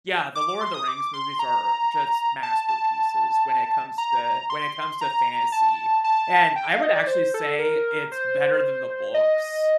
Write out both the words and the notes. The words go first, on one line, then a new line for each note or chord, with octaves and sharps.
yeah, the Lord of the Rings movies are just masterpieces when it comes to when it comes to fantasy, and I would actually say it's better than the books.
D6
D6
C6
D#6
D6
C6
A#5
A5
A5
A#5
C6
A#5
A5
A5
G5
F5
D#5
D5
C5
A4
A#4
C5
D#5